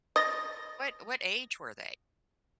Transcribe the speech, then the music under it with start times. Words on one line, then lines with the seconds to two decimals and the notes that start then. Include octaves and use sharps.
What what age were they?
0.16 D#5 D#6 A6 A#6